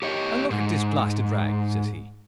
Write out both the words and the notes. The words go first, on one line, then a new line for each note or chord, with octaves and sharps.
And look at this blasted rag, says he.
G4 C#5 D#5
G#2